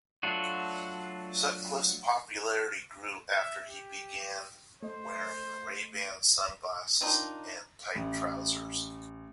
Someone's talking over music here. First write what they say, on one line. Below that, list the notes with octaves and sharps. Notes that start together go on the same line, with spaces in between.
Sutcliffe's popularity grew after he began wearing Ray-Ban sunglasses and tight trousers.
F#3 A3 D4 F4 F#4
E5
G4
A3 C5 D#5
D#3 F3 D4 D#4
A1